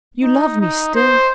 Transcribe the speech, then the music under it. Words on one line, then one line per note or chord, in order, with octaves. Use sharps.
You love me still.
D#4
D#4
C5